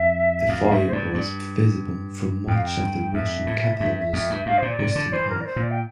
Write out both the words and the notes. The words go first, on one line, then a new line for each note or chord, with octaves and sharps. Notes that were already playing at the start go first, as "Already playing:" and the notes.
The fire was visible from much of the Russian capital's western half.
Already playing: F2 E5
F2 F5
F5
G2 E5
C5
G2 D5
G2
F2 G5
F5
G5
G2
F2 E5
A2
G2
F2
G2
G2 F5
A#2 C5
D5
C3
D5
D3
E3 C5
A#4
D5
C5
A#2
D5
G5